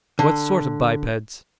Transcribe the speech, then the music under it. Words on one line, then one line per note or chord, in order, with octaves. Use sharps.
"What sort of bipeds?"
D3